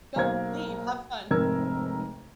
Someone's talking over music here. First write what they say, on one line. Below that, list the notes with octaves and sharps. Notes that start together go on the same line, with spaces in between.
go, leave, have fun."
B1 A#3 A#4 C5 G#6
F1 G#2 C3 A#4 E6 G#6